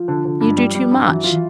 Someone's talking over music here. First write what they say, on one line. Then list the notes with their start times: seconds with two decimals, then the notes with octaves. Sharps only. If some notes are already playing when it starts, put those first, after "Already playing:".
You do too much.'
Already playing: F3
0.08 D3
0.25 D3
0.41 G2
0.57 G3
0.75 G3
0.91 G2
1.07 E3 F#3
1.24 F4
1.33 E3